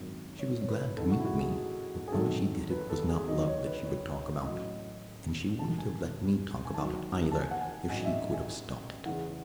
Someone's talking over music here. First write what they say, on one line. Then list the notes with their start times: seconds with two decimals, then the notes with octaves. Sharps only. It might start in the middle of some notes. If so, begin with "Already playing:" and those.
She was glad to meet me, but when she did it was not love that she would talk about, and she wouldn't have let me talk about it either if she could have stopped it.
Already playing: G#1 F#2 D#3 F#3
0.39 C#5
0.61 C#5
0.68 B4
0.97 A1 G#2 D#3 F#3 A4
1.11 F#4
1.20 E4
1.25 F#4
1.40 G#4
2.08 G#4
2.12 G#1 F#2 D#3 F#3 A4
2.70 B4
2.90 A4
3.09 G#4
3.27 D#2 D#3 F#3 D#5
3.47 C#5
3.66 B4
3.77 B4
3.85 C#5
4.43 A1 A2 F#3 D#5
5.59 E1 D#2 D#3 F#3 A5
5.79 G#5
6.65 G#5
6.74 D#2 D#3 F#3 A5
7.32 A5
7.42 G#5
7.51 F#5
7.61 G#5
7.90 A1 G#2 F#3 G#5
8.00 D#5
8.05 E5
8.34 G#5
9.06 E2 C#3 E3 F#5